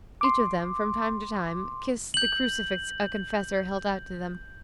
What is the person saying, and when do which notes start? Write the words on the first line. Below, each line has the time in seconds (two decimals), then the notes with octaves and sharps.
Each of them, from time to time, kissed the crucifix a confessor held out to them.
0.21 C6 D6
2.14 G6 F#7